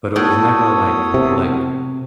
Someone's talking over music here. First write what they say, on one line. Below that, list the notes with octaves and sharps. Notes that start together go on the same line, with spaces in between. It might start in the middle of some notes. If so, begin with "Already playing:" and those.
but it was never, like uh, like,
A2 B3 F#4 A4 A#4 C#5 D#6
C3